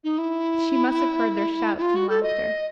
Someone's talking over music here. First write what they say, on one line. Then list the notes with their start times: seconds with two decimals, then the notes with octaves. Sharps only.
She must have heard their shouts and laughter.
0.04 D#4
0.18 E4
1.77 E4
1.82 F4
1.95 F#4
2.09 A4
2.23 D#5